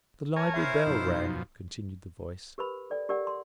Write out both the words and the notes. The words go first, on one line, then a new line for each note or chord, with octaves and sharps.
"The library bell rang," continued the voice.
A#4 C#5 G#5 A5
E4 C5 E5 F5
F#2 B2 F3 D#4
G4 A#4 B4 B5
A4 D5 G5
G4 A#4 D5 F#5 G5
C6